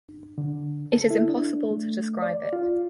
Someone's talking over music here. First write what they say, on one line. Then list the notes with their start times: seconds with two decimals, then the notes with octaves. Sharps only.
It is impossible to describe it.
0.38 D3
0.92 A4
1.10 E4
1.29 D4
1.71 A3
2.22 D5
2.53 F4